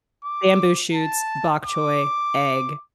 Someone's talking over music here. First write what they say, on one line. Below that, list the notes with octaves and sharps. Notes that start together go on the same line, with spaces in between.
Bamboo shoots, bok choy, egg
D6
A5
D6